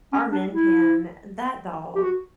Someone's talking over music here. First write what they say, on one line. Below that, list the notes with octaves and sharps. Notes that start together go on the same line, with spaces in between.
our Min Pin, that dog,
C#4
D4
E4
G4
F#4